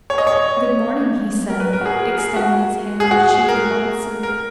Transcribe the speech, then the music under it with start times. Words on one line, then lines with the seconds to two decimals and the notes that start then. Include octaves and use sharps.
"Good morning," he said, extending his hand, which she did not see.
0.10 C#5
0.18 D#5
0.27 C#5
1.50 A#4
1.60 B4
1.73 A#4
1.81 F#4
1.85 G#4
1.99 G#4
2.08 A#4
2.18 G#4
2.36 F#4
3.00 G#4
3.11 F#4
3.30 G#4
3.48 A#4
4.23 A#4